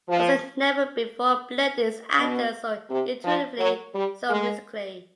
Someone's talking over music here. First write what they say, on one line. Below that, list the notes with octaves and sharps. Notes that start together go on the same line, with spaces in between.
Huston never before blended his actors so intuitively, so musically.
F3
B2
C3
F3
F#3
G3
G#3